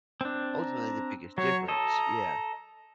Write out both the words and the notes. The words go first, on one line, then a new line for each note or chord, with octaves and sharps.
ultimately, the biggest difference. Yeah,
C4 D4
A#5
F#3 C#5
A4 D#5 A#5